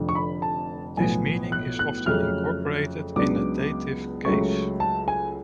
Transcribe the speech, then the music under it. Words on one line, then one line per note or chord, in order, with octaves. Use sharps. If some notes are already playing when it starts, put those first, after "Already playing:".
This meaning is often incorporated in a dative case.
Already playing: F1 F2 D3
C#6
B5
A5
B1 A2 F3 B3 G#5
F#6
F#6
F2 C#3 F#3 A3 C#4 F6
C#2 C#3 F#3 B3 D4 D6
C#2 C#3 F#3 A3 C#4 C#6
A5
G#5